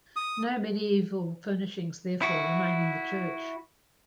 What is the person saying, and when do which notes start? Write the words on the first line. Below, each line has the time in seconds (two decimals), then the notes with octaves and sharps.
No medieval furnishings therefore remain in the church.
0.16 D#6
2.22 E4 F#4